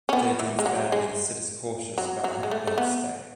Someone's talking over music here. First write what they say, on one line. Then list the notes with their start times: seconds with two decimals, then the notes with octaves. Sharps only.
The date ends badly as Sid is cautious about having left Ste.
0.09 C#4
0.13 B3
0.40 E3
0.59 G#3
0.66 F#3
0.92 G#3
1.98 F#3
2.24 F#3
2.43 G#3
2.51 A3
2.67 A3
2.78 B3